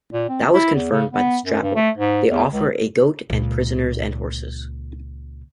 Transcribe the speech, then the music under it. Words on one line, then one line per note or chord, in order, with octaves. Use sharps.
That was confirmed by Strabo: "They offer a goat and prisoners and horses".
A#2
C4
E4
E2
C#3
B3
F#2
G2
A3
G#2
E2
C#2
C#2 A#2